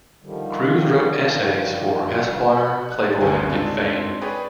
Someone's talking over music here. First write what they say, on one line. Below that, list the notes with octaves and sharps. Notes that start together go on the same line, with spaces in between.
Crews wrote essays for "Esquire", "Playboy", and "Fame".
D3 D#3 F3 G3
F#5 B5 G6
F#6
G1 D2 G2 C#3 G#4 G#5
G#3 C4 D4 D#4 F4 A4
G#4 B4 C#5 D5 G5